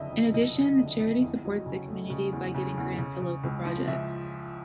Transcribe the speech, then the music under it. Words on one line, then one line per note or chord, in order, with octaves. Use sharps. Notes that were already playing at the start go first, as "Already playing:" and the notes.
In addition, the charity supports the community by giving grants to local projects.
Already playing: F#1 F2 D3 D#5 E5
F2
F#1 D#5
D3
D3
F2
E2
F#3
C#3
A3
C#3
E2
C#3
E2
C#3
C#3
C#2
F3
C#2 E5